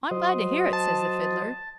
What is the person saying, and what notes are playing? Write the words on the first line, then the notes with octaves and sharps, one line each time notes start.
"I am glad to hear it," says the Fiddler.
F#3 C5 D#5
A5